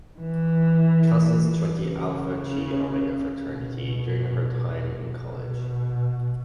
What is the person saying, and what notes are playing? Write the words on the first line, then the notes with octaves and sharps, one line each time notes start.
Cousins joined the Alpha Chi Omega fraternity during her time in college.
E3
C#3
B2
B2